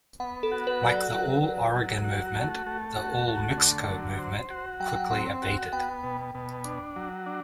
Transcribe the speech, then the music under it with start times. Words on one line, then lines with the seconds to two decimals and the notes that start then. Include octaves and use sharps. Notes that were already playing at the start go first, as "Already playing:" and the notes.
Like the All Oregon movement, the All Mexico movement quickly abated.
0.20 B3 F#5
0.43 A4
0.52 F#4
0.67 B4
0.81 F#3
0.89 D5
1.12 F#3 F#5
1.43 F#3
1.74 F#3
2.05 F#4
2.35 A3
2.66 A3
2.96 F#4 F#5
3.28 A3
3.58 D3
3.88 F#3
4.19 C5
4.51 F#4
4.80 F#3 G5
4.88 F#5
4.96 G5
5.11 C4 F#5
5.42 F#4
5.73 B3 G5
6.03 B2
6.35 B2
6.65 D4
6.96 F#3
7.26 D4